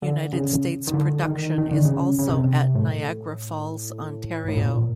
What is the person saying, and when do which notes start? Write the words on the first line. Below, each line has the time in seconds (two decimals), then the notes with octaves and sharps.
United States production is also at Niagara Falls, Ontario.
0.02 D3
0.33 C#3
0.87 D#3
0.94 D3
1.24 D#3
1.58 D#3
1.71 D3
1.85 C#3
2.19 C#3
2.29 C3
2.75 A2
4.48 A2
4.57 A#2